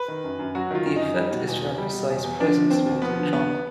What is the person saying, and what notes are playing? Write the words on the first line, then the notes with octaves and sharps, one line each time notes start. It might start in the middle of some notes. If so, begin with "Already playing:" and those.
The effect is to emphasise presence more than drama.
Already playing: B4
D#3
F#2
F#2
F#3 F#4
D#3 F4
F#2
D#4
F#2
G3
B2
E2
E2
G3
B2
E2
E2
F3 D4
D3
D#2 C4
D#2
F3 B3
D3
D#2 B3